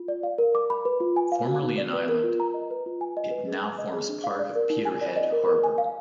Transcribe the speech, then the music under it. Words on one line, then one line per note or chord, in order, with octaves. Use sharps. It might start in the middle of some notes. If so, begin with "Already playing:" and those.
Formerly an island, it now forms part of Peterhead Harbour.
Already playing: F4
D5
F5
A#4
D6
B5
B4
F4
G#5
F5
F#4
D#4
D5
B4
A#4
F4
A#5
D#5
B4
F4
G#5
D#5
B4
G#4
G#5
D#5
G#4
D4
F5
D5
A#4
D#4
G#5
D5
D#5
A#4
A#4
G#5
F5